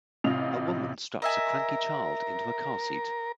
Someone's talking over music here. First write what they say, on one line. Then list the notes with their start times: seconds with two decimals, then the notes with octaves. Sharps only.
A woman straps a cranky child into a car seat.
0.24 A1 C3 F4 D#5 F5 F7
1.22 A#4 D#5 E5 G#5